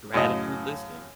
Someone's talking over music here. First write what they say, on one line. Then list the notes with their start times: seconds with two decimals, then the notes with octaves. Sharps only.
gratitude listing,
0.14 F#2 A2 C#3 D#5